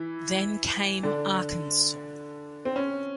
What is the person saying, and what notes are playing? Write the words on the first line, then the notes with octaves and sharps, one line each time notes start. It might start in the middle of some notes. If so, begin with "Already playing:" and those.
Then came Arkansas.
Already playing: E3 E4
D3 D4
C4
C#4